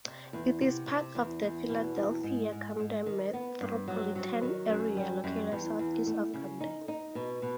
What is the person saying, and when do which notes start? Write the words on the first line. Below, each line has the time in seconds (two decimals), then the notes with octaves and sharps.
It is part of the Philadelphia-Camden metropolitan area, located southeast of Camden.
0.06 C3
0.33 E2
0.60 C3
0.87 C3
1.15 E2
1.43 E2
1.69 B2
1.96 E2
2.23 G#2
2.51 G#2
2.79 G#2
3.06 D#3
3.33 B3
3.61 G2
3.88 F#3
4.15 F#3
4.42 D#3
4.69 F#2
4.97 G3
5.24 F#2
5.52 E2
5.79 E2
6.06 A3
6.34 C#3
6.60 D#4
6.88 D#4
7.15 B2
7.42 B2